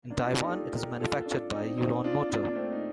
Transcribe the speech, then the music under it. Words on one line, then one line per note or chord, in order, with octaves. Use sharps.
In Taiwan it is manufactured by Yulon Motor.
A#3 D4
D4 F4
D#4 G4
F4 A4
G4 A#4
F4 A4
D4 F4
C4 D#4
C4 D#4
D4 F4
D4 F4
A#3 D4
A3 C4
D#4